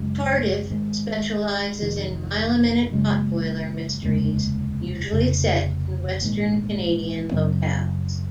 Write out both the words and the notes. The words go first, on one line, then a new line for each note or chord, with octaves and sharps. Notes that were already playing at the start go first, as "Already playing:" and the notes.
Tardif "specializes in mile-a-minute pot-boiler mysteries, usually set in Western Canadian locales".
Already playing: F#2 C#3 G#3
G#1 G#2 D#3
F1 F2 D#3
F#1 F#2 C#3 G#3
F1 D#2 C#3 G#3
F1 F2 C#3
A#1 G#2 D#3
F#2 C#3 F#3 C4